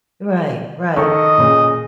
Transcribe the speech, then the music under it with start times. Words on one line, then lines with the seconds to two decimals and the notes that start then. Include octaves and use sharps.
Right, right.
0.97 D#3 A4 D#5 C#6
1.38 A#2 C#3